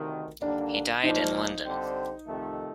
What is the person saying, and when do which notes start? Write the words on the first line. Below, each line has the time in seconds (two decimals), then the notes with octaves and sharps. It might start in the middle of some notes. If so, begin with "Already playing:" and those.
He died in London.
Already playing: D2 C3 D#3
0.41 D#2 D3 G3 A#3 D4
1.03 A#1 A#2 F3 A#3 D#4
1.64 D3 G3 C4 G4 C5
2.26 F2 C3 D#3 A3